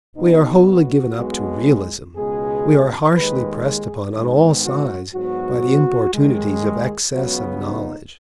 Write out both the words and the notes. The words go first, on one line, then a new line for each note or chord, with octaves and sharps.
We are wholly given up to realism, we are harshly pressed upon on all sides by the importunities of excess of knowledge.
B1 B2 B3 D#4
F#4
B1 B2 G#3 B3
C#2 B2 G#3 B3 G#4
D#2 D#3 G#3 B4
G#4
G#2 D#3 G#3 B3 D#4
F#4
G#2 F#3 B3 F#4
D#2 D#3 G#3
G#4
C#2 C#3 F#3 B3 F#4
D#4